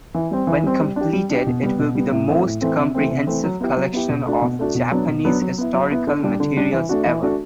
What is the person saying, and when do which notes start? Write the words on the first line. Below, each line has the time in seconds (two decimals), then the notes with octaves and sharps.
When completed, it will be the most comprehensive collection of Japanese historical materials ever.
0.14 E3
0.31 G3 C4
0.47 E3
0.63 G3 C4
0.80 G3
0.96 D4 G4
1.13 G3
1.30 D4 G4
1.47 B2
1.63 G3 B3
1.79 B2
1.95 G3 B3
2.12 A2
2.28 E3 A3 C4
2.45 A2
2.61 E3 A3 C4
2.77 C3
2.95 E3 A3 C4
3.10 C3
3.27 E3 A3 C4
3.44 F#3
3.60 B3 E4 G4
3.77 F#3
3.93 B3 E4 G4
4.09 B2
4.26 A3 D4 F#4
4.42 B2
4.59 A3 D4 F#4
4.75 B2
4.91 F#3 B3 D4
5.08 B2
5.25 F#3 B3 D4
5.42 F#3
5.58 B3 E4
5.74 F#3
5.91 B3 E4
6.07 D3
6.23 G3 D4 G4
6.40 D3
6.56 G3 D4 G4
6.72 E3
6.89 A3 D4 F#4
7.06 E3
7.22 A3 D4 F#4